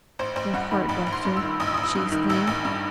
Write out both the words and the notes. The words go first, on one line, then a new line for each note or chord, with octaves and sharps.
"Her heart, doctor!" she exclaimed.
A1 C5
A1 C5
G2 F#5
D#3 B5
A1 B5
A1
C6
G2
E6
D#3
A1 D#6
E6
A1 D#6
E6
G2
D#3
A1 E6
A1
G2